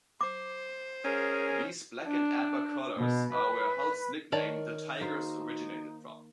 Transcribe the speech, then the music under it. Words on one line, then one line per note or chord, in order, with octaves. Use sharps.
These black and amber colours are where Hull's nickname, "The Tigers", originated from.
C5 D6
C#4 G#4 A#4
D4
B2
B4
D#3 A#4 C#5 D5 A5
A#3 D#4 F#4 C5